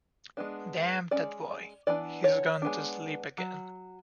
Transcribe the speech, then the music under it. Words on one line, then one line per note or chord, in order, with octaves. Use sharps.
Damn that boy; he’s gone to sleep again.
G#3 B3 D4
G#3 C#4 D5
E3 B3 D4 D5
C#5
G#3 B3 D4
F#3